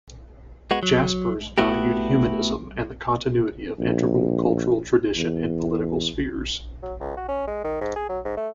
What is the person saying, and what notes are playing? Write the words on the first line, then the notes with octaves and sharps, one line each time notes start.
Jaspers valued humanism and the continuity of integral cultural tradition in political spheres.
G#3 B3 F#4
F#3
A3 B3 E4 F#4 G4
A#1
E2
F#3
C#2
F#4
C#4
G#3
D#3
G#2
G#4
F#3
G#2
A3